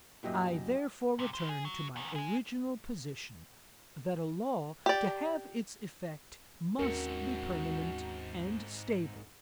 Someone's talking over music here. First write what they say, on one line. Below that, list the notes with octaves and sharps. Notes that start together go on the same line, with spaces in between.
'I therefore return to my original position, that a law, to have its effect, must be permanent and stable.
F#2 A#2 E4 G4 D#5
G#2 C3
E4 C5
G#4
F#3
E2 D#3
G#3 G#4
G4 D5
D#2 G#2 C4 C#4 F#4 A#4 C#7